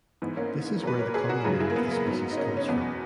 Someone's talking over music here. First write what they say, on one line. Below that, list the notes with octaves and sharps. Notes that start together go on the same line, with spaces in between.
This is where the common name of the species comes from.
G#2 E3 B3
A#3 C#4
A#2 F#3 B4
A#4 C#5
G#4 B4
F#4 A#4
F#2 C#3 F#3 G#4 B4
E4 G#4
A#3
B3
A#3
G#2 F#3 B3
D#4
A#3 C#4
C#4
E2 B2 F#3 B3